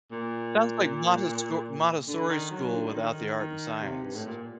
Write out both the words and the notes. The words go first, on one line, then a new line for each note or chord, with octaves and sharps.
Sounds like Montescor Montessori school without the art and science.
A#2
D3
D#3
F#3
D3
D#3
D#3
C3
G2
A2
A#2